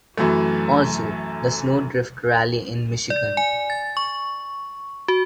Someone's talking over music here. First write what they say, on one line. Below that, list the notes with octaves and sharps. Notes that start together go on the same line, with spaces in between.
Also, the Sno Drift Rally in Michigan.
F#2 E3 F#3 A3
D5
G#5
A6
C#6
F#4